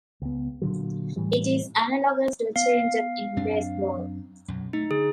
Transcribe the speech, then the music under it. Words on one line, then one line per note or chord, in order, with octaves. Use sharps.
It is analogous to a changeup in baseball.
C#2 B3
A#2 D3 F#3
A2 E3 G3
B3 F5
F#2 C4 D4
B1 F#2
A3 D#4
D3 G#4